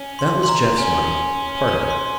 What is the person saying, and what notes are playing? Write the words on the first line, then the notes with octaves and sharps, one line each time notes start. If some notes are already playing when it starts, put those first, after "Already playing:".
That was Jeff's money--part of it.
Already playing: C#4
C6
C6
A#5
C#4 G#5
A#5
C6